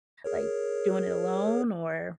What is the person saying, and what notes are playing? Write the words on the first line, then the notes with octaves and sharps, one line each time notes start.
like, doing it alone? Or
G#4 A#4 C#5